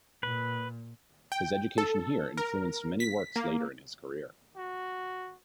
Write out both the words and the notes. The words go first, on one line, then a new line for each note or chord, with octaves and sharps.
His education here influenced many works later in his career.
A#2 B4
G5
A4
A#4
B6
A#3
F#4